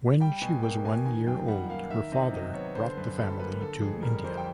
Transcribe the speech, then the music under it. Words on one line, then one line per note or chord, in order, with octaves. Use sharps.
When she was one year old, her father brought the family to India.
G3 G5
B2 G#5
A#3 G5
B2 G#5
D#3 G#5
F#2 G5
G3 F#5
A#3 F5
D#3 E5
C3 D#5
F#3 D#5
B3 C#5
D3 C5
F#2 B4
G3 A4
A#3 B4
D3 A4
F2 G#4
G3 A#4
F2 C5
G5